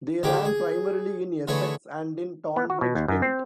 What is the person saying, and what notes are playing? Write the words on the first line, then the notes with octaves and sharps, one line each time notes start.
They ran primarily in Essex and in Tonbridge, Kent.
A1 D3 D#3 G4 G#4 D6
G#4
D3 E3 A3 G#4 B4 C#5
B3
F#4
B2
D#2
F#2
C4